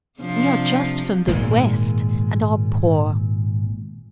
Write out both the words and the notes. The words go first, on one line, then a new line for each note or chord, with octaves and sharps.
We are just from the West, and are poor.
C3 F3 D4
G#1 A#2 G#3